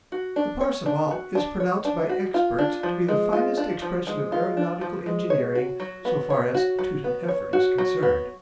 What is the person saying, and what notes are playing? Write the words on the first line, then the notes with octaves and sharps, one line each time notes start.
The Parseval is pronounced by experts to be the finest expression of aeronautical engineering so far as Teuton effort is concerned.
F#4
D4
C#5
D4
F#4
D4
C#5
D4
F#4
F4
D4
F3
G#3
F4
D4
F3
G#3
F4
D4
F3
G#3
C#5
F#4
F#3
B3
C#5
F#4
F#3
B3
C#5
F#4
F#3
B3